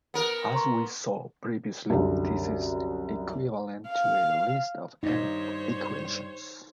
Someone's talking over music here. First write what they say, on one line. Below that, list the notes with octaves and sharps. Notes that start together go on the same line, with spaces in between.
As we saw previously, this is equivalent to a list of "n" equations.
B3 A#4
A#5 C6 C#6
C2 F#2 D3
F5
G2 D#4 C5 C#5